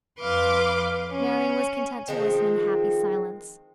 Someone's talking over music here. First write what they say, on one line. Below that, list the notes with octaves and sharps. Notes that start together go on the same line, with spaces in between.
Marian was content to listen in happy silence.
F2 B4 F5 C6 D6
C#4
D#3 F3 G#3 C4